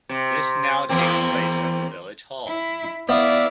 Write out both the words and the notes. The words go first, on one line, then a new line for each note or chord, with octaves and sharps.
This now takes place at the village hall.
C3
E2 A#3 C4
E4
B3 E4 D5 E5 F5